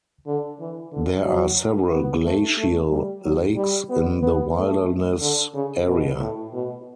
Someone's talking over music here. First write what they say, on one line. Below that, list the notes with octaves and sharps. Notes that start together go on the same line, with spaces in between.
There are several glacial lakes in the wilderness area.
D3
E3
D3
F#3
B3
A3
A3
G3
F#3
G3
B3
B3
A3
D3
C#3
B2
A2
B2